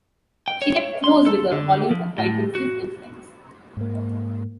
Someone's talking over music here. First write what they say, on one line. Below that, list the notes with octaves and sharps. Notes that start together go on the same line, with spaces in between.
She kept close with her Hollywood acquaintances and friends.
G5
C#5
C6
A4
D3
F3
A2
F#4
G#2 A#3